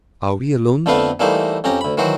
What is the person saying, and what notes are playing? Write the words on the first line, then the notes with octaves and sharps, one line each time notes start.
"Are we alone?"
F2 D3 A3 B3 B4 F5
E3 G3 A3 A#3 D#4 C5
F2 C#4 G4 A#5
D2 B5
D#3 E3 F#3 F#4 C5